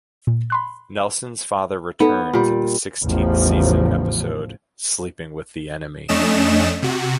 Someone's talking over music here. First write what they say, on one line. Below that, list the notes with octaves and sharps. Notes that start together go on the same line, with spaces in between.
Nelson's father returns in the sixteenth season episode "Sleeping with the Enemy".
A#2
B5 C6 F#6
B3 D#4 A4
A#2 G3
A1 E2 C#3 F3
F2 A3 C#4 D4 D#5 E7
C3 F#4